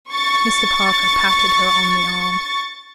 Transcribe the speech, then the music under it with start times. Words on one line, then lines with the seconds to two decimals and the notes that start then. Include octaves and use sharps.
Mr. Parker patted her on the arm.
0.13 C#6 A6